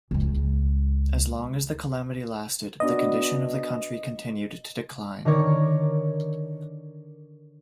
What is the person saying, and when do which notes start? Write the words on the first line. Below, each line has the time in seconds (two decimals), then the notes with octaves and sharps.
As long as the calamity lasted, the condition of the country continued to decline.
0.11 C#2 G#3
2.80 B3 D4 F#4 D#5
5.25 D3 D#3 A#4 C#5 D5